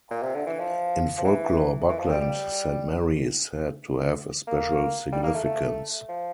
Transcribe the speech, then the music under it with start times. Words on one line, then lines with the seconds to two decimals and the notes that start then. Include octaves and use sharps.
In folklore Buckland Saint Mary is said to have a special significance.
0.10 A#2
0.22 C3
0.35 D3
0.47 E3
0.59 F3
1.18 F3
1.24 E3
1.89 E3
1.99 F3
2.09 G3
2.21 G3
4.47 A#3
5.12 G3
5.23 A#3
5.34 A3
5.44 A3
6.09 F3